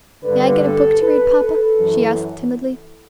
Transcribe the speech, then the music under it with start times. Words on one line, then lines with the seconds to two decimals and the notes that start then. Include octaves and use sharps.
"May I get a book to read, papa?" she asked timidly.
0.23 G2 D3 B4
0.62 A4
1.01 B4
1.40 A4
1.78 F#2 E3